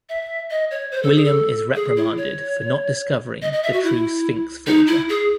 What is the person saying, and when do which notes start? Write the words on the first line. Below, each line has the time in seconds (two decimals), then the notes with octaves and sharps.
William is reprimanded for not discovering the true Sphinx forger.
0.09 E5
0.50 D#5
0.71 C#5
0.92 C5
1.03 A4
1.15 G#4
1.25 A4
1.75 G#4
1.96 E4
2.17 C#5
3.42 D#5
3.53 D#5
3.63 E5
3.73 F#4
3.84 E4
4.67 D#4
4.87 E4
5.09 G#4